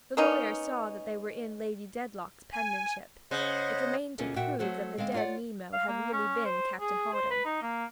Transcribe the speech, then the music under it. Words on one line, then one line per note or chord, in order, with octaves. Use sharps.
The lawyer saw that they were in Lady Dedlock's penmanship; it remained to prove that the dead Nemo had really been Captain Hawdon.
A#3 B3 C#4 D#4
G#5
C#3 C5 D#5 F#5
D2 B2 A#3 C#4 F4 G#4
A#2 F#4 E5 F#5 G5
F#3 A3 C4 F#4
D3 G#3 C4 F5
F4 C#5 D5 F#5
F5
A#3
C#4
C5
G#4
C5
B4
D#4
A#3